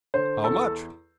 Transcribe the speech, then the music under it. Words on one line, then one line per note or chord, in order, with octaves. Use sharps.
How much?
D3 C5
E2 A4